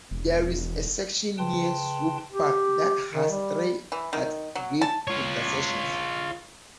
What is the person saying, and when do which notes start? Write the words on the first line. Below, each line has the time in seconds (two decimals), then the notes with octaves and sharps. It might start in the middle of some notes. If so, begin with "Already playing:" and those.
There is a section near Swope Park that has three at-grade intersections.
0.11 E1
1.38 C#3 B4 G5 A5 C6
2.32 G4
3.12 D#3
3.30 G3
3.92 E3
4.13 D#3
4.55 F#3
4.81 A5
5.08 F4 C#5